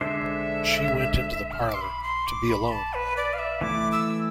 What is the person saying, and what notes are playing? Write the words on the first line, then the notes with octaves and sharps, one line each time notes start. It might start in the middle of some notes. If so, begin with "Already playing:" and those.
She went into the parlour to be alone.
D3 G#3 D4 A4 C5 E5
F6
E6
D6
C6
B5
C6
D6
B5
A5
B4
D5
F5
E5
E3 A3 E4 D6
E6